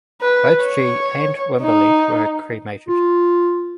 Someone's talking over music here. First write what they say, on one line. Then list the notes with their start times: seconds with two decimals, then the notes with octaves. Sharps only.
Both she and Wymberly were cremated.
0.21 B4
0.64 C#5
1.63 D#4
2.88 F4